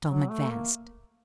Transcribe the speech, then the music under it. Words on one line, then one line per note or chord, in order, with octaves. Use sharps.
Tom advanced.
F#3
A3
A#3